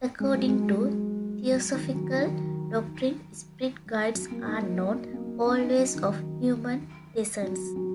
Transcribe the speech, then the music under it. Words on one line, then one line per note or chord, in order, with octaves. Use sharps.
According to theosophical doctrine, spirit guides are not always of human descent.
G#3
F#3
G#3
F#3
D#3
F#3
D#3
F#3
A#3
D#4
F#3
F#3
A#3
C#4
D#4
F#3
D#3
F#3
F#3